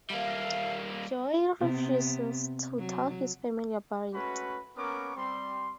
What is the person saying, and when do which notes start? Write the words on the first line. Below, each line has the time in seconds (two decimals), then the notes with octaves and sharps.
Joey refuses to tell his family about it.
0.10 G3 A#3 A4 E5 F5
1.60 C3 B3
2.79 F#3
4.13 G#3 A3 C#4 F#4 B4 B5
4.76 A#3 B3 C#4 A#4 C#6 D6
5.16 G3 C4 C6